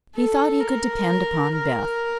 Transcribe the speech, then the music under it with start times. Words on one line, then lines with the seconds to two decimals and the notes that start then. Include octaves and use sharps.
He thought he could depend upon Beth.
0.15 A4
0.61 A#4
1.55 A#4